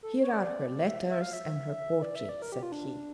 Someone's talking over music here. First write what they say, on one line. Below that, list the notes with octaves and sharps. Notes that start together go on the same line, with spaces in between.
"Here are her letters and her portrait," said he.
A4
C#5
D5
E5
E5
F5
E5
D5
E5
D5
A#4
G4
F4
D4